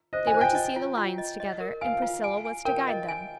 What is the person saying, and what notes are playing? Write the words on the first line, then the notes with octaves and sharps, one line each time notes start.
They were to see the lions together, and Priscilla was to guide them.
C5 D#5
G#5
C5
G5
D#5
F4
F4
D#5
D#5
A#4
F5 G#5
F4
G#5
G#5
A#4 G5
D#5
G#5